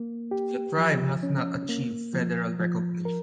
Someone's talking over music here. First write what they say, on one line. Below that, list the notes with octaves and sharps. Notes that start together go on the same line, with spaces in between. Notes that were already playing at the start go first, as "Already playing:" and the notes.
The tribe has not achieved federal recognition.
Already playing: A#3
G4
F3
C#4
A#3
F3
F3
A#4